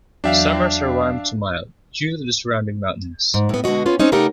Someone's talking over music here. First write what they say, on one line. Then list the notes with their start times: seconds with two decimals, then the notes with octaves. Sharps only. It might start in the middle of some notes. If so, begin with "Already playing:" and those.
Summers are warm to mild, due to the surrounding mountains.
0.24 E2 F#3 D4 E5 F5 G5
3.34 G#2
3.49 A2 B3
3.64 B2 D3 G#3 F#4 D#5
3.86 B3 C#4 F4
4.00 C4 C#4 D#4
4.12 C#3 A3 D#4 G4 A#4 F#5